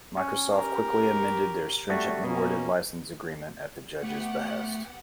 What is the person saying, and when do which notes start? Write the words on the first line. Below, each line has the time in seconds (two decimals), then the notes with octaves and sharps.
Microsoft quickly amended their stringently worded license agreement at the judge's behest.
0.17 C#4
0.55 G4 A#4
1.90 G3 A3 F#4
2.24 B2 A#3 C#4
4.03 A3 B3 G4 F#5